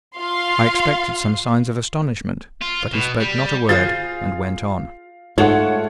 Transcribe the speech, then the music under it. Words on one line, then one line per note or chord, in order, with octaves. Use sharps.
I expected some signs of astonishment; but he spoke not a word, and went on.
F4 F5 C6
F4
B2
G3
F4 G#4 C5 F5 A6
G#2 A3 F4 C#5 F#5